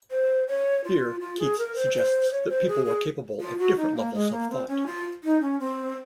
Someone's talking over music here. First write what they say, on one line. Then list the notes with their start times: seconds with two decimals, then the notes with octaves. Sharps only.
Here Keats suggests that people were capable of different levels of thought.
0.11 C5
0.48 C#5
0.84 F4
1.21 F4
1.39 G#4
1.58 A#4
1.76 C5
1.94 C5
2.31 C#5
2.49 C5
2.68 G#4
2.86 G#4
3.40 F4
3.58 F#4
3.77 D#4
3.95 A#3
4.13 G#3
4.31 A#3
4.50 C4
4.68 C#4
4.86 F4
5.24 D#4
5.41 C#4
5.60 C4